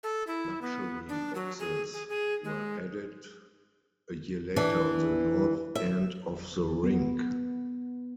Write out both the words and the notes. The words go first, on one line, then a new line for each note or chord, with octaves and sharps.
Luxury boxes were added a year later on the north end of the rink.
A4
E4
B3
D4
F#3
G#4
G#4
G#4
G#3
E3 D4
E5
B3